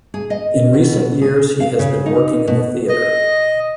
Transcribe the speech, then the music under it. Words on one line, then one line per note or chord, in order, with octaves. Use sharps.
In recent years, he has been working in the theater.
G#4
D#5
B2
G#4
F5
C#3
D#4
B2
D#5